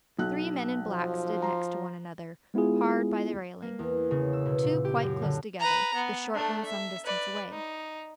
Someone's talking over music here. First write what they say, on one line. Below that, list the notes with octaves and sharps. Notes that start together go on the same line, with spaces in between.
The three men in black stood next to one another hard by the railing, two quite close together, the short one some distance away.
B1 F#6
F3
A#5 C6
G#3 B3 E4 F4 G#4
A#3
E2
C#3
E6
B2
A#2
G4
F#2
D3
B4 A#5
B3
A3 D4
E5
B4 D5
D#4